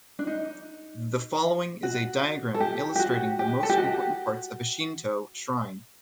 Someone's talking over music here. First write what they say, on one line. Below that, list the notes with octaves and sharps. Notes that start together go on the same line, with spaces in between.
The following is a diagram illustrating the most important parts of a Shinto shrine.
D4
D#4
F#4
A4
G4
G4
F#4
G4
A4
G4
F#4